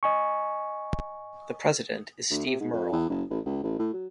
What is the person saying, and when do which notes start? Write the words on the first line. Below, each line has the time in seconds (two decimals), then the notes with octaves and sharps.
The president is Steve Murrell.
0.03 D#5 G#5 C#6
2.31 D2
2.46 C3
2.60 G#2
2.73 F2
2.92 E2
3.09 F#1
3.30 A1
3.46 C#2
3.63 A1
3.79 A2
3.93 F#3